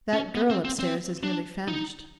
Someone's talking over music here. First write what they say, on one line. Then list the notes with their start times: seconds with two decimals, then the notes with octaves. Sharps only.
"That girl up-stairs is nearly famished."
0.13 C#4
0.35 B3
0.50 C4
0.65 C4
0.79 C4
1.23 D4
1.68 D#4